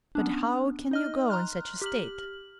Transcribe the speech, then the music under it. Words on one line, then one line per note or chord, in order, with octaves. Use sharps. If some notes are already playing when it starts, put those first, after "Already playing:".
But how can you go in such a state?
B3 C#4 D4
D#4 D#5 F6
A#5 C6 F6 F#6
G4 F6 F#7